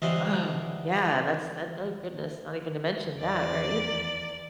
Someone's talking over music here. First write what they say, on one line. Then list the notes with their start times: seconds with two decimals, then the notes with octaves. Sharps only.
Ugh, yeah. That's that oh, goodness. Not even to mention that, right?
0.02 C#2 D3 E3 G3 C5 D#5
3.18 E2 D5